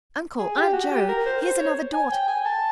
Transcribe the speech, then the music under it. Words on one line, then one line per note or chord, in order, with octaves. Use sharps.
'Uncle, Aunt Jo, here's another daughter!
G#4
G4
F#4
G4
A#4
C5
C5
C#5
G#5
G5
G#5
A5